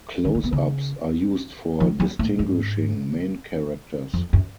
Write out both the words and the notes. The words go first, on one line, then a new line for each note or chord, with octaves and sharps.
Close-ups are used for distinguishing main characters.
D3
C#3
B2
C#3
F3
F#3
A2
G#2
F2
F#2